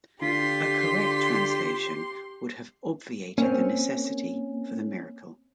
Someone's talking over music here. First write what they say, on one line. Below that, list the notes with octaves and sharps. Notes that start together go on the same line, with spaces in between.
A correct translation would have obviated the necessity for the miracle.
D3 F4 G4 C6 B6
A#3 C4 C#4